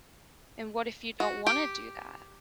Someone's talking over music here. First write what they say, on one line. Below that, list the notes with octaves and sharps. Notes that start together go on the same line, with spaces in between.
and what if you don't wanna do that?
F#4
G4